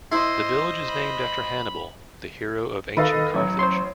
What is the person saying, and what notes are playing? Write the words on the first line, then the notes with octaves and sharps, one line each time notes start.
The village is named after Hannibal, the hero of ancient Carthage.
E4 C5 D#5 C6
B5
D#3 A4 B4 D#5 F5
A1 F#3
C5 C#5 C6